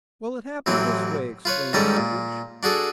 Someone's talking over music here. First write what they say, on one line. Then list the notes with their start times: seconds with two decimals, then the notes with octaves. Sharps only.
"Well, it happened this way," explained Kettridge.
0.66 A1 E3 F#3 C4
1.45 F4 B4 C#5
1.73 G#2 D#3 G3 C#4 A4 A#5
1.97 A#2
2.63 D4 F#4 G#4 A4